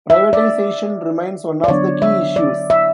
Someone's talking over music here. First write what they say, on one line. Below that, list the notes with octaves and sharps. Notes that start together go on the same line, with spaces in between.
Privatization remains one of the key issues.
E5
D5
D5
D3 F#3 B3 D4 C#5
E5
D5
E5